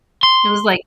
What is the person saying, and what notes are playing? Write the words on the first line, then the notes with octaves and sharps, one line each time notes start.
It was like
C6